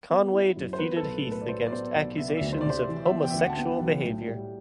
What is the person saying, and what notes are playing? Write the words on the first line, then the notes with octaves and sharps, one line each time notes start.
Conway defended Heath against accusations of homosexual behaviour.
B3
E4
F#2
C5
B3 B4
A4
B1
A2
B4
D5
F#3 C5
D5
B3 C5
B1 D5
B3 E5
D5
D2 E5
C5
D5
C3
C5
E3
B3 E5
G5
D2 E5
F#5
A5
B3 G5
B1
A2
G3